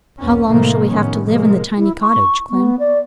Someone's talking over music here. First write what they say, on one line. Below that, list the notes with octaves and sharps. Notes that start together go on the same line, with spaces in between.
"How long shall we have to live in the tiny cottage, Clym?"
B1 E2 B3 C#4
A2 C3 D#3 F3 A3 A#3
A2 C3 D#3 B3 C#4
C3 F3 G#3 A#3
E4
C#6
B3
D5